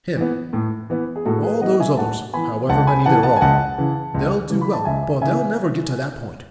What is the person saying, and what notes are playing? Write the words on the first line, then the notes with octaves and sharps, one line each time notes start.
HIM: All those other, however many there are--they'll do well, but they'll never get to that point.
E3 B3
A2
E3 B3
G#4
A2 F#4 A4
G#4 B4
E3 B3 D#5 F#5
E5 G#5
A2 F#5 A5
E3 B3 G#5 B5
C#2 F#5 A5
G#5 B5
C#3 E3 F#5 A5
F#5 A5
G#5
C#2 F#5 A5
C#3 E3
C#2
C#3 E3
B5
A5
C#2 E5 G#5
C#3 E3 E5 G#5